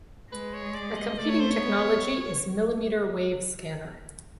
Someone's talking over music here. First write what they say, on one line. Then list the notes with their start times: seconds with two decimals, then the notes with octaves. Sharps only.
A competing technology is millimeter wave scanner.
0.32 G#3 B4
0.54 C#5
0.75 D5
0.97 D#5
1.18 A3 D5
1.30 C#5
1.40 C5
1.50 C#5
1.61 B3